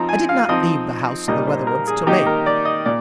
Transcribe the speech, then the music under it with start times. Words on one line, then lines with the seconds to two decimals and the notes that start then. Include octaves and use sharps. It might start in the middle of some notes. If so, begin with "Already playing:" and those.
I did not leave the house of the Weatherwoods till late.
Already playing: F3 C4 D#4 A#5
0.09 G#5
0.29 F5
0.49 F3 C4 D#4 D#5
1.28 A#2 G3 A#3 D#4 D#5
1.47 C5
1.67 A#4
1.87 G#4
2.07 D#3 A#3 D#4 G4
2.26 A#4
2.46 D5
2.65 D#5
2.85 A#2 D5